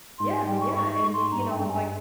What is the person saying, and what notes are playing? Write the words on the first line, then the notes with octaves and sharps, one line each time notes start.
Yeah, yeah, and you know, like,
G#2 C6
G#5
G3 G5
C#6
G#2 C#6
C#6
G#2
C6
G2 A#5
G5
G2
G#5